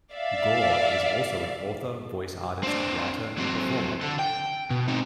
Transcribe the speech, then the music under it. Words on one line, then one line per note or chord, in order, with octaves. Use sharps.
Gorr is also an author, voice artist, writer and performer.
D5 E5 F5
C4 D4
F#3 C4
D3 A4
G5
B2
C4 D#4